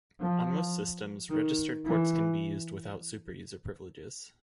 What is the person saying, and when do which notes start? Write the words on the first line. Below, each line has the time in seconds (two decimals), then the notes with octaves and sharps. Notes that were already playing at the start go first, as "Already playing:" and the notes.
On most systems, registered ports can be used without superuser privileges.
0.20 F3
1.30 D#3
1.84 E3